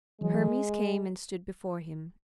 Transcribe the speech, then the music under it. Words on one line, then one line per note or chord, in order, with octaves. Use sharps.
Hermes came and stood before him.
E3 F#3 G#3